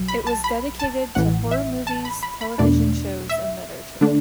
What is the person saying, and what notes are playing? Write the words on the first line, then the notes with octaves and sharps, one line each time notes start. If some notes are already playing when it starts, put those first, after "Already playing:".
It was dedicated to horror movies, television shows and literature.
Already playing: B1 F#3
B5
A5
B5
A5
A1 A2 E3 F#5
E5
A5
B5
B5
B5
E2 B2 A3 D4 D5
E5
D3 A3 D4